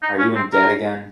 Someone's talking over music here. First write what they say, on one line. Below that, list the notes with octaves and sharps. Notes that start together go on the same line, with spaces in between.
Are you in debt again?
D#4
C#4
C4
A#4